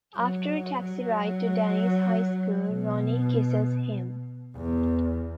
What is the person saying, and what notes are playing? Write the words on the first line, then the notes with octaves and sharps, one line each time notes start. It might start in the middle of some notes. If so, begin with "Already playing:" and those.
After a taxi ride to Danny's high school, Ronnie kisses him.
F#3
F#3
B2
E2